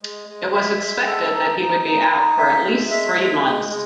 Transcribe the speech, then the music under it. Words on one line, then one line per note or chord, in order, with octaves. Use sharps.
It was expected that he would be out for at least three months.
G#3
G#3
E5
G#3
A4
D#4
D#4
D#4
D#4
E5
G#3
E5
G#3
G#3
G#3